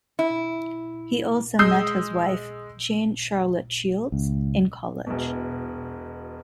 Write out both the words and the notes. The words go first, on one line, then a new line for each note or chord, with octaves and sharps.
He also met his wife, Jane Charlotte Shields, in college.
E4
G#3 D#6 E6 G6 C7
C#2
E1 B2